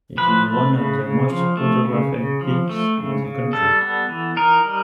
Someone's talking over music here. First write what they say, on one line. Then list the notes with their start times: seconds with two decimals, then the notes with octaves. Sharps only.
It is one of the most photographed peaks in the country.
0.17 F3 B4
0.46 A3
0.73 C#3
1.02 C#3
1.30 F3
1.57 A3
1.85 C#3
2.13 C#3
2.41 F3
2.69 A3
2.97 C#3
3.25 C#3
3.53 G3 A4
3.81 B3
4.09 E3
4.36 D#4 A#4
4.65 G3